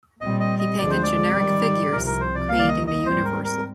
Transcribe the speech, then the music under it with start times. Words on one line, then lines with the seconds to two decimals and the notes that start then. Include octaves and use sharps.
He painted generic figures, creating the universal.
0.21 A#2 G3 C4 D#5
0.40 D#5
0.59 D#5
0.78 D2 D3 F3 G#3 C4 D5
0.90 C5
1.03 D5
1.35 G#2 D#3 G3
1.92 C2 C3 F3 A#4
2.06 A#4
2.20 C5
2.35 D5
2.48 D#2 D#3 G3 A#3 F5
2.59 D5
2.68 D#5
2.87 D#5
3.06 G#2 G3 C4 C5
3.25 A#4
3.44 A#4